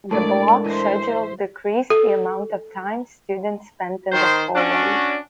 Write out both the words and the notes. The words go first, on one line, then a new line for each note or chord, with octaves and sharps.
The block schedule decreased the amount of time students spent in the hallways.
A2 G#3 A3 D4 A#4 D5 A5
E3 C5 D#5 E5
A4
D#3 C5
C#4 D4 F#4